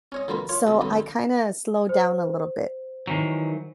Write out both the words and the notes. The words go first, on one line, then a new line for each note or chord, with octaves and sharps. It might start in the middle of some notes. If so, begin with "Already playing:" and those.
so I kinda slowed down a little bit.
C#4 C#5 D#5
D3 F3 A#3 F#4 B4
F4 C#5
D#2 B2
D3 F#3 B3 D#6
D3
C5
D#3 E3 F#3